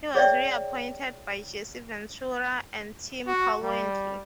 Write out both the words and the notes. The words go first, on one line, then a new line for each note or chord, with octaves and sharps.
He was reappointed by Jesse Ventura and Tim Pawlenty.
G#4 C#5 D5 E5 G5
F#4
G3